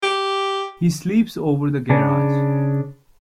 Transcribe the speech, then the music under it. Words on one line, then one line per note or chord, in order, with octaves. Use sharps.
He sleeps over the garage.
G4
C#3 D4